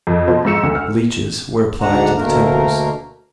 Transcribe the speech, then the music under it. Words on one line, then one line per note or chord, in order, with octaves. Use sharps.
Leeches were applied to the temples.
F2
B2 F3 C5 A5
G#2 F3 E6 C#7 E7
D2
F6
D2 G#2 D4 F#5 A#5
D2 B2 A3 A#3 A#4